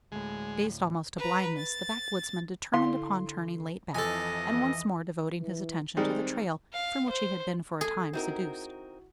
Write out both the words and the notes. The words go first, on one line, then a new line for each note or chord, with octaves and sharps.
Dazed almost to blindness, the backwoodsman determined upon turning late back; and once more devoting his attention to the trail from which he had been for a time seduced.
D2 A2 G#3
B4 A#5
A6
D3 E4 F5 C6
F2 E3 A4 D#5 G#5
E3
D#3 G3 G#3 C4
F5
C5
G#4 A4
C4 D#4 E4 F#4 A#4